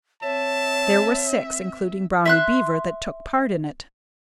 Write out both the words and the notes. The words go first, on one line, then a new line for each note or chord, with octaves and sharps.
There were six, including Brownie Beaver, that took part in it.
C4 C#5 E5 A5
E5 C6 F#6